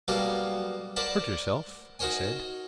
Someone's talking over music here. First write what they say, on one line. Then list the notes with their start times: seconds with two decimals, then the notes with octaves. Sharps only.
"Hurt yourself?" I said.
0.08 B2 F#3 G3 A#3 A4 F5
0.96 A#4 C5 D5 F#5 A5 B5
1.99 D#4 F#4 A#4 C5 C#5 G#5